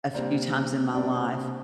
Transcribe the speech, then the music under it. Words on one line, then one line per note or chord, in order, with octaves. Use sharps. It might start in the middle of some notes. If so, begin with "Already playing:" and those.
a few times in my life
C3 G3 A#3 D4 C5
C3 G3 A#3 D4 D5
C5